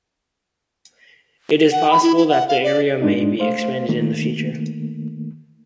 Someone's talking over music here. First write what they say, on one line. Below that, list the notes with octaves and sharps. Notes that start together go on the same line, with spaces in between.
It is possible that the area may be expanded in the future.
F#5
B5
E4
E4
F#5
F5
D5
G#2 G#3 D4 D#4
A3 C5 F5
D#3 A3 A#3